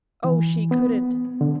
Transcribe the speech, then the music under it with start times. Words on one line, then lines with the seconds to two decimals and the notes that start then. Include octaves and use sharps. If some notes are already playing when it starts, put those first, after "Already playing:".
Oh, she couldn't!
0.24 E3
0.71 B3
1.41 D3